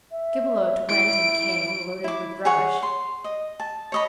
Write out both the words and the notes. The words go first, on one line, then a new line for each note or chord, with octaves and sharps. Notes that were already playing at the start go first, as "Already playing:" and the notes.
Gibelotte went and came loaded with rubbish.
E5
E4 D7
E4 D6
G#4 C#5 F#5
C6
D#5
A5
C#5 D#5 B5